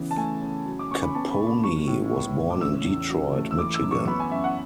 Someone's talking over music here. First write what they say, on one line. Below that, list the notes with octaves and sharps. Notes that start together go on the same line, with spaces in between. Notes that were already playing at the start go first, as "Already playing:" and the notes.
Caponi was born in Detroit, Michigan.
Already playing: C#3 E3 B3
A5
A3 G#5
C#3
F#3
D6
C#3 C#6
B5
B3 A5
B5
C#3
B5
F#3 C#6
A2
B3
A2
D6
C#3 E6
E2
F#3
A3
E6
E3 D6
E6
F#2
C#6
B3 B5
G#5
F#2 E5
F#5